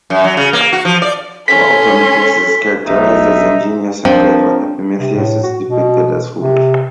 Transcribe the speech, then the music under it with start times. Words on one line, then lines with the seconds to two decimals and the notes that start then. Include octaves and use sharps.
While Prometheus is characterized as ingenious and clever, Epimetheus is depicted as foolish.
0.10 F#2
0.24 F#3
0.37 C#3
0.53 A#3
0.73 F#4
0.85 F3
1.02 D5
1.48 C#4 A4 C6 B6
2.87 B1 D#4 E5
4.05 F3 C4 D4 A#4
5.00 C3
5.16 A2
5.43 F#4
5.66 B2
6.39 C3